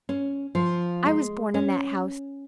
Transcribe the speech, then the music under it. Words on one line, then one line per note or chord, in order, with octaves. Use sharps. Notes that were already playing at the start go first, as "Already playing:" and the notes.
I was born in that house.
C#4
F3
G#3
C#4